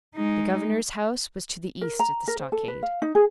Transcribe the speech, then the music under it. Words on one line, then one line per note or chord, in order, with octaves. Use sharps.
The governor's house was to the east of the stockade.
G#3 D#4
A#4
A#5
A#4
C5
A4
B4
F5
D#4
G#4